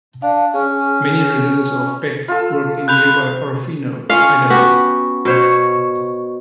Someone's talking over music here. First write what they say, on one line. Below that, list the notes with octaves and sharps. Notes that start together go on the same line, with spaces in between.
Many residents of Peck work in nearby Orofino, Idaho.
D4 F5
C#4 G#4
F4 A4
B5 F#6 G6 F7
C#4 F4 F5
B3 F#4 G4
B2 C5 C#5